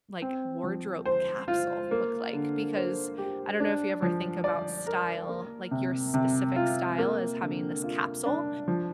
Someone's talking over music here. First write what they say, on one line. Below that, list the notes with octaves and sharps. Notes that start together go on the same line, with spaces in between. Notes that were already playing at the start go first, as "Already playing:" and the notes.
like, wardrobe capsule look like, because I don't know if you ever think about style, like your specific style as having this capsule
C4
F3
C5
F4
A#3
D3
C5
G4
D4
F3
D5
A#4
A#3
C3
C3
F4
A#3
D3
F4
D4
F3